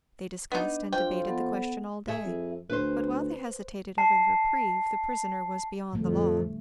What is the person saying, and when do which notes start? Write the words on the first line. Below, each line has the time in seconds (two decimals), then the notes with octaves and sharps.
They discussed and debated the question all day; but while they hesitated over the reprieve, the prisoner was beyond the law.
0.52 B3 D4 D#4
0.92 F2 F3 F4 C5 G5
1.26 B3 A4 F#5
2.08 G#4 E5
2.25 F2
2.70 D2 B4 C5
3.98 A5 C7
5.93 F2 D3 G3 A3